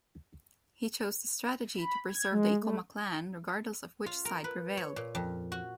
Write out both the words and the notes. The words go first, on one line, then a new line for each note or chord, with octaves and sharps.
He chose this strategy to preserve the Ikoma clan regardless of which side prevailed.
B5
G#6
G#3
A3
F4
A#4
B4
C#5
A#2
F2
F#4